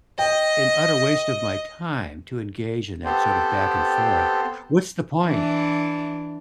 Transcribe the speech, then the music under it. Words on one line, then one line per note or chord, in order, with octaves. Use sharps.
an utter waste of my time to engage in that sort of back and forth. What's the point?
D#5 G5
B3 C4 G4 A4 C5
E3 D4